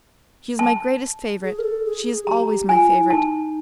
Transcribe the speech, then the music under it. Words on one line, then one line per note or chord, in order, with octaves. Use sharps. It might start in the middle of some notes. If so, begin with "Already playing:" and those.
She is my greatest favourite. She is always my favourite.
A5
G#4
A#4
A4
G#4
G#4
G4 A#5
G4
F4 G#5
E4
D#4 A5